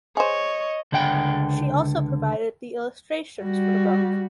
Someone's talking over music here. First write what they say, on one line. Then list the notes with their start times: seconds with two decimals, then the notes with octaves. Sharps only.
She also provided the illustrations for the book.
0.17 G#4 C5 C#5 D#5
0.92 C#2 D3 D5 F#5 G5
3.42 G3 F#4